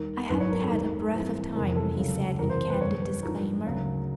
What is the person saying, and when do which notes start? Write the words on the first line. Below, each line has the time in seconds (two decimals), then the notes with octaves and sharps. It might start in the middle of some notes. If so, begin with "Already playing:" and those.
"I haven't had a breath of time," he said in candid disclaimer.
Already playing: D#2 D#3 G3 A#4
0.29 G#1 F#2 D#3 F#3 B3 B4
0.40 C#5
0.50 A#4
0.61 A4
0.71 D#2 D#3 G#3 A#4
1.13 G#2 E3 G3 C4
1.55 F1 E2 C3 A#4
1.76 A4
1.97 C#2 C#3 F#3
2.39 F#1 E2 C3 E3 A#4
2.50 C5
2.70 B4
2.81 F#2 D3 G3 A#3 D4 C#5
3.02 B4
3.23 G#2 F3 A#3 D4 A#4
3.65 D2 C#3 F#3